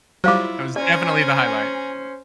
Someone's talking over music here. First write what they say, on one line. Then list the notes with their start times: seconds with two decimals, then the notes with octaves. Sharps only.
That was definitely the highlight.
0.24 F#3 G3 E4 F4 C5 F5 D6
0.76 C#4 C5 D5 G#5 A#5